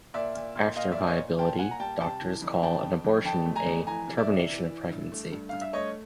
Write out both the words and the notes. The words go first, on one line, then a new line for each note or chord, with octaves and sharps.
After viability, doctors call an abortion a "termination of pregnancy".
A#2 D5 E5
A#2
A#2
A#2 D#5 F5
D5 E5
A#2
C#5 D#5
A#2
A#2 G5 A5
A#2 F#5 G#5
A#5
G3 G5 A5
C3 G5 A5
E3
F2
F2 G5 A5
F2
F2
F2 G5 A5
A3
G#5 A#5
F2
E3 G#5 A#5
C3
D5 E5
E3
E3
E3
G2
A3
G2
G2 F5
E5
A3 C#5 D#5